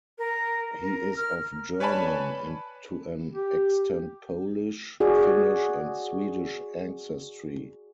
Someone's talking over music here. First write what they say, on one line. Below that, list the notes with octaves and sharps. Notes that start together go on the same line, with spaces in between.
He is of German, and to an extent Polish, Finnish, and Swedish ancestry.
A#4
A#4
F6
B4 C#5 D5 G#5 A5 B5
G4
F#4 G#4 D5